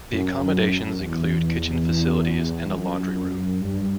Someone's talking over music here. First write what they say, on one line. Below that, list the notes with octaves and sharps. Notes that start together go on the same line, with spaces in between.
The accommodations include kitchen facilities and a laundry room.
F#2
E2
G2
F#2
G2